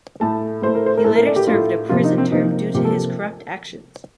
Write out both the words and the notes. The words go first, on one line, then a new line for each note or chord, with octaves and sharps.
He later served a prison term due to his corrupt actions.
A2 A3 A5
A2 A3 C5
A#4
C5
A#4
A2 A4
A3
A#4
D5
G4
A2 A3 F4
C3 F3 A#3 F4
D#4
C4
C3 F3 A#3 D#4
C3 F3 A#3 G4
A4